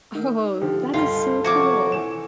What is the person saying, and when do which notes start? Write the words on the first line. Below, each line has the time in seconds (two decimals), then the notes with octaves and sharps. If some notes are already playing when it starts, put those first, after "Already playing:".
Oh, that is so cool.
0.15 D#3
0.61 D3 F3 G4
0.94 C#2 G2 F4 A4
1.44 C3 F3 F#4 C#5 D6
1.92 E3 E7